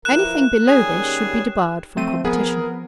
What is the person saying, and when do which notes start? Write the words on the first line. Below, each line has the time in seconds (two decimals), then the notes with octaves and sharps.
Anything below this should be debarred from competition.
0.05 E3 F3 A#4 F#6 E7
0.68 D#2 G3 C#4 G#4
1.97 F3 A3 C4 D#7
2.25 B3 G#4 A#4